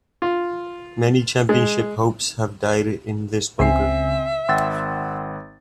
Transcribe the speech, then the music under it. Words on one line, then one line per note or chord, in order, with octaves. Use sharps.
Many championship hopes have died in this bunker.
F4
G#3
C#2 C#3 C4 E5 G#5 C7
G#1 F#5 G5 C6 E6 A6